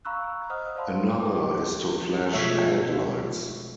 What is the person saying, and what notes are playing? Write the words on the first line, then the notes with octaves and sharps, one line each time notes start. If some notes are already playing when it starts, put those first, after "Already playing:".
Another is to flash headlights.
F5 A#5 B5 C#6 E6 F#6
C5 D#5 F#5 D#6 F6
C5 D5 F5 A5 B5 C6
B4 G5 D6
B2 F3 G#3 A3 C#5 E5